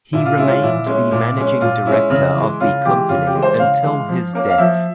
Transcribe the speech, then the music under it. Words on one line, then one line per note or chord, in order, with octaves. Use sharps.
He remained the managing director of the company until his death.
A#2 E4
F4
G#3 C#4 E4
F4
A#2 E4
G#3 C#4
A#2
G#3 C#4
A#2 F4
G#3 C#4 E4
C#3
E3 G#3
C#3 F4
E3 G#3 G4
C#3 F4
G4
E3 G#3
C5
C#3 F5
E3 G#3
F3
A#3 C#4
F5
F3 E5